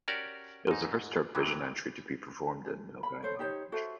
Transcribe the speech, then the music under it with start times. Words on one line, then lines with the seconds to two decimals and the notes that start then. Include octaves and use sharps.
It was the first Turkvision entry to be performed in the Nogai language.
0.08 C#4 F#4 G4 A#4 D5
0.67 G#2 D#4
1.35 C3 E3 F#3 G#3
3.03 B5
3.23 A4 C5 C#5
3.39 D#4 G4 C5 C#5
3.72 F#4 A4 C5 E5